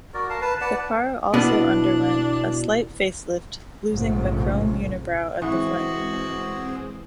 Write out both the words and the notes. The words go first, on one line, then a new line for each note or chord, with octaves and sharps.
The car also underwent a slight facelift, losing the chrome unibrow at the front.
F#4 A#4 D5
A#4 F5 A5
B4 A5
B4 D5 F#5 A5
B2 E3 D4
A#1 G#2 C3 F3 A3 C#4
E3 G#3 C4 F#4 G#4 F#5 C#6